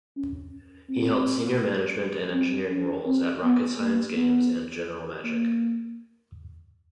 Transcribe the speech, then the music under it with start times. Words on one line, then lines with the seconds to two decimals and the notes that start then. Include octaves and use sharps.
He held senior management and engineering roles at Rocket Science Games and General Magic.
0.16 C#4
0.89 C4
2.34 C4
2.70 C#4
3.07 C4
3.43 B3
3.79 A#3
4.16 B3
5.24 A#3